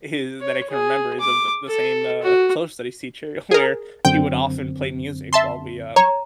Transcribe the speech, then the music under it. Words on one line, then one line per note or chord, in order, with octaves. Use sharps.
is that I can remember is of the the same, uh, social studies teacher where he would often play music while we, um
C#5
G#4
D6
A4
F#4
G#4 A#4
F#2 D3 C4 G5
E5 A5 C6
C#5 A#5